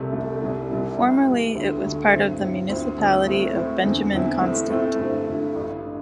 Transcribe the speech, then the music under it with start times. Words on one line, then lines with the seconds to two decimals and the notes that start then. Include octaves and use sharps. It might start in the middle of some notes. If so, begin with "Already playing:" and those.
Formerly, it was part of the Municipality of Benjamin Constant.
Already playing: C2 C3 A3
0.12 C2 C3 A3
0.41 C2 C3 G3 E4
0.69 C2 C3 G3 E4
0.98 A2 E3 G3
1.27 A2 E3 G3
1.55 D2 D3 A3
1.83 D2 D3 A3
2.12 G2 D3 C4 E4
2.41 G2 D3 C4 E4
2.69 D2 D3 C4 E4
2.98 D2 D3 C4 E4
3.26 A2 A3 C4
3.55 A2 A3 C4
3.84 E2 D3 C4 E4
4.12 E2 D3 C4 E4
4.41 A2 A3 C4 E4
4.70 A2 A3 C4 E4
4.99 G2 D3 A3 E4
5.27 G2 D3 A3 E4
5.55 A1 G2 D3
5.86 D3